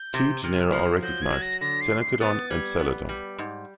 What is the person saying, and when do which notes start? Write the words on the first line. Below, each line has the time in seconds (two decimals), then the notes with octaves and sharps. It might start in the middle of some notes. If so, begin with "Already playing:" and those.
Two genera are recognized: "Ctenacodon" and "Psalodon".
Already playing: G6
0.14 C3
0.43 C3 F6
0.73 F3
1.02 F#3 G6
1.22 G#6
1.32 F#3
1.42 A#6
1.61 D3 A#6
1.81 C7
1.91 F2
2.01 C7
2.20 B3 A6
2.50 G3 G#6
2.79 B3
3.09 G3
3.38 G#2